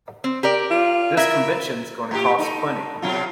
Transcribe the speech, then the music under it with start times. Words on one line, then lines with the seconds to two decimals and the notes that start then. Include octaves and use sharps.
This convention's gonna cost plenty.
0.24 C4
0.43 G4 A#4 D5
0.70 F4
1.17 E4 A#4 E5
2.11 A2 G4
2.39 D#4 A4
3.02 B2 F#3 F4